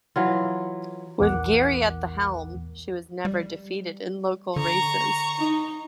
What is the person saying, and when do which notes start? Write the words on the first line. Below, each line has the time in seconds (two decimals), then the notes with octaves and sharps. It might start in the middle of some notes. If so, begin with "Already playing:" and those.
With Geary at the helm, she was never defeated in local races.
0.16 E3 F#3 F4
1.20 A#1 E2 A#4 F#5 D6 F#6
3.25 G3
4.56 D3 A#5 C#6
5.39 D#4